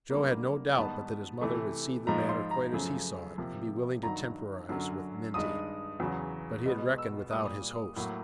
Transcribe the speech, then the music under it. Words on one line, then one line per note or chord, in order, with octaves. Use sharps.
Joe had no doubt but that his mother would see the matter quite as he saw it, and be willing to temporise with Minty; but he had reckoned without his host.
F#2 D3 G3 A#3
G#2 D#3 G3 B3 A5
C3 E3 A3
G#2 F3 G#3 A#5
C6
A#5
F#2 C#3 F3 A3
C3 F3 A#3
G2 D#3 F#3 A#5
F#2 D3 F#3
G2 D#3 G#3 D#6
E2 C#3 F#3
B2 G#3 B3
E6
A#2 G3 A#3 D#6
A2 F#3 A#3